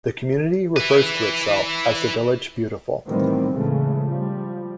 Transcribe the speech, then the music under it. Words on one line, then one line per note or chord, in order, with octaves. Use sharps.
The community refers to itself as The Village Beautiful.
E4 B4
A2 D#3 E3 G3 B3 C4
A2 C#3 E3 G#3 A3
F3 G3